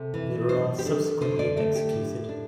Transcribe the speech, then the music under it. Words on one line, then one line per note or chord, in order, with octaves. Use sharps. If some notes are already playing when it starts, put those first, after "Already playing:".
They were all subsequently executed.
Already playing: C3 A4
E3
D4 C5
G4
D4 A4
D3 C5
D5
A3 A4
G4
A2
D4